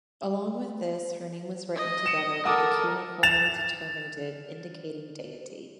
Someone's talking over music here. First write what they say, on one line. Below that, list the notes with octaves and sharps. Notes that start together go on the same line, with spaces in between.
Along with this her name was written together with the cuneiform determinative indicating deity.
D#5
C#7 E7
A4 A#4 F#5 D6 D#6
A6 E7 F7